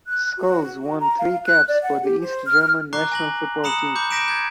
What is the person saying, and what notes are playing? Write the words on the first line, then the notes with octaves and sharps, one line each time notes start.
Schulz won three caps for the East German national football team.
F#6
F#4
F#4
A#5
F5
F#6
D5
F#5
G4
C5
F6
A#5 C#6 D6 F#6 C7
G#5 A#6 F#7
A#5 B5 D#6 C#7 E7 F#7
B5 D6 G6
D6 G6 A#6 B6 D7 E7
G6 G#6